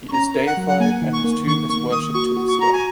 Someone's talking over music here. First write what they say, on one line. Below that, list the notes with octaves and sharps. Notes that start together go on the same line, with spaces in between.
He is deified and his tomb is worshipped to this day.
C#6
C#4 A#5
A#4
F#5
F#3
F#5
A#3 G#5
D#3
C#6
A#3
D#3 C#6
A#3 C#6
A#3 D#6
F#4 C#6
F#4
C#6
F#4 A#5
G#5